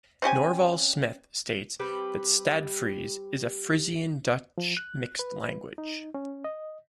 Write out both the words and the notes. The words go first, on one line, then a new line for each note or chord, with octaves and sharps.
Norval Smith states that Stadsfries is a Frisian-Dutch mixed language.
C4 C#4 G4 G#5
G3 C4 G4 B4
F3
F#6
B4
D#4
C#4
D#5